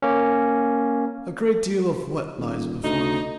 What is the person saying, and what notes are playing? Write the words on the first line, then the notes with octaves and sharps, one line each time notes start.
"A great deal of what lies before me?"
A#3 C#4
D#1
D2 D#4